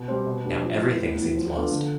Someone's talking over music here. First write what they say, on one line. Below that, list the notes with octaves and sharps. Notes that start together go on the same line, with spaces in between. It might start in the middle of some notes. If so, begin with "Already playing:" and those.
Now everything seems lost!
Already playing: B2
G3 C4
B2
B3 D4 G4
F3
C4 E4 B4
A2
E3 B3
F3
B3 D4 F4 A4
D3